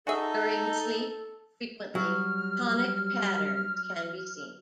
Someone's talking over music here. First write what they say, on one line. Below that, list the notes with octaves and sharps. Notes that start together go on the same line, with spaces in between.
During sleep, frequently, tonic patterns can be seen.
D#4 F#4 G#4 A4 E5
F#3 G3 F6